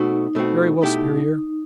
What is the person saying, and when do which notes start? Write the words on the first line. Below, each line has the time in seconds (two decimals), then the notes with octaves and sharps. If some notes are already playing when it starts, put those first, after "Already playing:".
"Very well, Superior."
Already playing: B2 A3 C4 D#4 F#4
0.35 B2 A3 C4 F#4
0.82 B2 A3 D#4 E4 G4